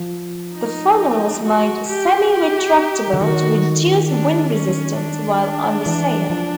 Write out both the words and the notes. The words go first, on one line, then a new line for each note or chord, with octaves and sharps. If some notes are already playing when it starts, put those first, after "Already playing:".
The funnel was made semi-retractable to reduce wind resistance while under sail.
Already playing: F3
D#4
F#4
G4
G4
D3
D#3 F#4
D4
C#4
D4
E3
F3